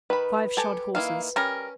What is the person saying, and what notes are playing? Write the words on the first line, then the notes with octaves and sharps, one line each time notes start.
Five shod horses.
D#3 B4 B5
G4 A4 G#5
D#3 A#3 E4 F5
G3 C#4 A#4